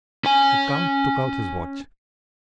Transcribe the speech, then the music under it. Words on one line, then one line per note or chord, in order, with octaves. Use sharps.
The count took out his watch.
C#4 G#5